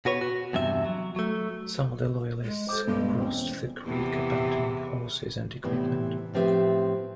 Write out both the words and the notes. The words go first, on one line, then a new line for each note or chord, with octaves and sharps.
Some of the Loyalists crossed the creek, abandoning horses and equipment.
B2 F#4 B4 C#5
F#4
E2 G2 C3 E5
F#3
F#3 A3
G#3
A4 C5 D6
G2 B2 G#3
E2 C4 C#4
E2 C3 E3
A2 C3 E3 G3 B3
A2 F3 C4 G4 B4 E5